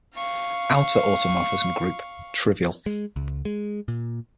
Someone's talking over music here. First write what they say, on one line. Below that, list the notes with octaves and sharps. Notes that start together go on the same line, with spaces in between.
Outer automorphism group: Trivial.
F5 C#6
G#3
C#2
G#3
A#2